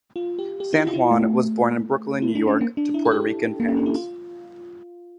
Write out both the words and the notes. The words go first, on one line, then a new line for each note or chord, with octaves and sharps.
San Juan was born in Brooklyn, New York to Puerto Rican parents.
F4
G4
G4
E4
F4
F4
E4
A3
E4
D4
C#4
A#3
D4
E4
A4
G4
A#3
C#4
D4
E4
F4